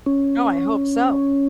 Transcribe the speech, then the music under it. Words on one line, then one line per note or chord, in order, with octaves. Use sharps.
Oh, I hope so.
C#4